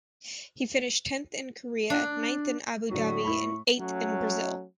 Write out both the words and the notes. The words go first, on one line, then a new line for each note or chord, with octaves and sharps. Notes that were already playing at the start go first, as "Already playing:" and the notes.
He finished tenth in Korea, ninth in Abu Dhabi and eighth in Brazil.
D4
A2 D3 F#3 C#6
E4 B5
F#3 A3 C#4